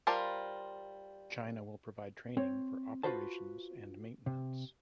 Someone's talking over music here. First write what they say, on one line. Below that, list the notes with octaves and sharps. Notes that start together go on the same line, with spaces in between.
China will provide training for operations and maintenance.
G3 F4 A#4 C5 A5
C4 C#5
F4 F#4 B4 C5 A5
C3